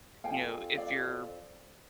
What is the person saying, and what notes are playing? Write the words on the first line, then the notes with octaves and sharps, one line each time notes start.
you know, if you're,
F2 F5 G5 G#5
D5 F5